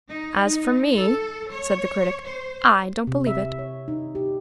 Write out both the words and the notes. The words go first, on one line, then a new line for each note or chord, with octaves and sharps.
"As for me," said the Critic, "I don't believe it."
D#4
D#4
A4
C#5
C5
C3
E5
C#5
D#4
G4